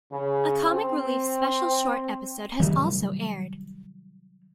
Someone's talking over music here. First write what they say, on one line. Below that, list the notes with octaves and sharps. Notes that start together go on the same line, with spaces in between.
A Comic Relief special short-episode has also aired.
C#3
C4
C3 D#3 F#3 G3